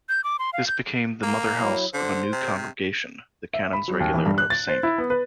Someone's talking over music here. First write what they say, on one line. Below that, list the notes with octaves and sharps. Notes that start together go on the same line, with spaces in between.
This became the mother-house of a new congregation, the Canons Regular of Ste.
G6
D6
C6
F5
G6
A#3
F#3 E4
D3 C5
C3
E5
B5
F#3
D#2
E3
G2
F#6
A6
C5
E4
B3
B4